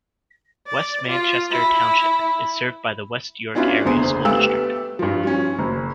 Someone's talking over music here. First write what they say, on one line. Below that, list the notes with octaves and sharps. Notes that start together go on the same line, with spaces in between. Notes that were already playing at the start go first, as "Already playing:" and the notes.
West Manchester Township is served by the West York Area School District.
D5
F4
E4
B3 C#4 D4 E4 F4 B4
F#1 E2 D3 G#4 C5 G#5
A3 B3 G4 F5 G5 E6
G2 F3
F3 C#4
F#1